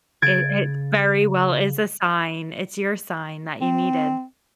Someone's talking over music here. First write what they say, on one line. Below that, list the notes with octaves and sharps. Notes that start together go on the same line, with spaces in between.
It it very well is a sign. It's your sign that you needed.
C#3 G#6 A6 D7
C4